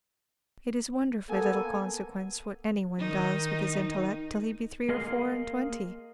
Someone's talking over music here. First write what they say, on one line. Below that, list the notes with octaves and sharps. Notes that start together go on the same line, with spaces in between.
It is wonderfully little consequence what any one does with his intellect till he be three or four and twenty.
A#3 B3 A4 G#5
D#3 D#4
A#3 G#4 D#5 F5 C6